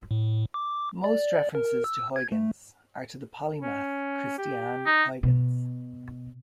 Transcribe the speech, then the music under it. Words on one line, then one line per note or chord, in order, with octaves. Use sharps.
Most references to "Huygens" are to the polymath Christiaan Huygens.
A2
D6
D5
A#4
E6
G#6
A3
C#4
G4
D#4
B2